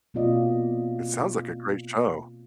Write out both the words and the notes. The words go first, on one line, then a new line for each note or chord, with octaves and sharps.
It sounds like a great show.
B2 A#3 C4 F4 D5 D#5